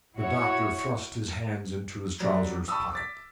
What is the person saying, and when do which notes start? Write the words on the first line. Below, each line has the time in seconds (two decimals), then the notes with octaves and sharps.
The doctor thrust his hands into his trousers' pockets.
0.17 E4 F#4 C#5
2.20 F#3 G3 D4
2.68 A5 B5 C#6 D#6 E6
2.93 D6 A6 B6